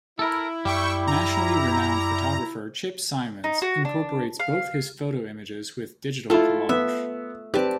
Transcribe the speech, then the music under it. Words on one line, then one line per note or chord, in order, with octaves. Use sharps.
Nationally renowned photographer Chip Simons incorporates both his photo images with digital collage.
E4 A4 A#4
F#2 G3 E5 G5 C#6
A#5
D#4
F#4
D4
F5
A3 E4 F4 A4
B3 E5
C4 G4 B4 D5 A5